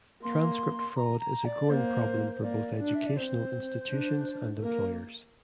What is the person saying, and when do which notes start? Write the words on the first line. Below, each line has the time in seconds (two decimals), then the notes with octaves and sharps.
Transcript fraud is a growing problem for both educational institutions and employers.
0.23 A#3 C6
0.96 A#5
1.20 A#5
1.45 D5
1.69 A#3 C5
2.33 C5
2.43 A#3 D5
2.80 D4
2.95 E5
3.06 D5
3.16 C4 C5
3.90 D4
4.58 A4
4.63 A#3 A#4